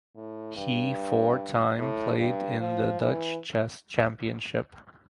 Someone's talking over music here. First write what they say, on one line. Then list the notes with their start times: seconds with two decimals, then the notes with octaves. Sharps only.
He four time played in the Dutch Chess Championship.
0.16 A2
0.56 G2
1.78 A2
2.20 G2
2.60 F3
3.00 E3